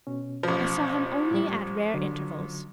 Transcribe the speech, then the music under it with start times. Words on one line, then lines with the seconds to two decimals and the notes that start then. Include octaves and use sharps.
I saw him only at rare intervals.
0.07 B2 C#4
0.43 A1 F3
1.31 A2 G3
1.94 D3 F#3